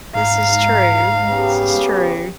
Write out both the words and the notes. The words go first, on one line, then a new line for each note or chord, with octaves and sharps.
This is true. This is true.
G#2 F5 A#5
C#3 B3 G4